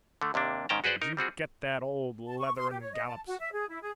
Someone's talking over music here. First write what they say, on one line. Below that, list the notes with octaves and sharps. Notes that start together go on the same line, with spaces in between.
Did you get that, old Leather-and-Gallops?'
D3 A3
D#2 C3 A#3 D4
G#2 D#3 C#4 G5 A5 A#5
F#4 G#4 B4 C5 D5 F#5
D#4 A#4
G3 C4 F#4 G#4
A5
C#6
C6
G4
C#5
D#5
A5
F#4
E5
G#4
E4
G#4